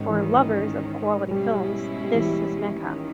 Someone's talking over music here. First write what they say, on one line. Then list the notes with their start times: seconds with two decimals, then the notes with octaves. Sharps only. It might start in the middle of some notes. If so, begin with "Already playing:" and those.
For lovers of quality films, this is Mecca.
Already playing: G#2 D#3 G#3 C#4
0.09 E3
1.31 B2 G3 G#3 C#4 E4
2.04 G3
2.15 E3
2.25 G3
2.78 D#3 A#3 C#4